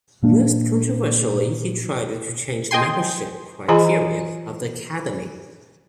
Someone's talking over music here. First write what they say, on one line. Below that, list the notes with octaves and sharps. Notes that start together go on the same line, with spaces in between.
Most controversially, he tried to change the membership criteria of the Academy.
A#2 A#3 C#4 D4
D#5 G5 G#5 C6
E3 F4 G#4 D#5 G#5 A#5